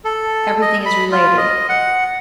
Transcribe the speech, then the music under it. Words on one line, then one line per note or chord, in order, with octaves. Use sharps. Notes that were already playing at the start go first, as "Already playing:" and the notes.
Everything is related.
A4
D#5
B5
F4
D#5
F#5